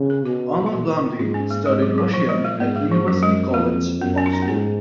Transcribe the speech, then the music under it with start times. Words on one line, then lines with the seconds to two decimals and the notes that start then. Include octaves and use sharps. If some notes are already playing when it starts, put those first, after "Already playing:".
Anna Blundy studied Russian at University College, Oxford.
Already playing: C#3
0.10 A#4
0.25 B2 F#4
0.66 F4
0.72 A#2 F#4
1.19 G#2 F4
1.34 C#4
1.51 A#3
1.66 G#2 G#3
1.82 F#3
1.98 F#3
2.13 A#2 F3
2.29 G#3
2.45 A#3
2.60 G#2 B3
2.76 A#3
2.92 F3
3.07 F#2 F#3
3.23 G#3
3.54 F2 A#3
4.01 F#2 B3
4.18 C#4
4.26 F4
4.33 D#4
4.42 B3
4.48 G#2 C#4